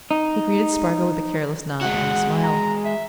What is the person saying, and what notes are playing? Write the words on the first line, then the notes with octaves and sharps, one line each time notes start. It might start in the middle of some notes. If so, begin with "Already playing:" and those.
He greeted Spargo with a careless nod and a smile.
D#4
G#3 F#4 F#5
A#5
E5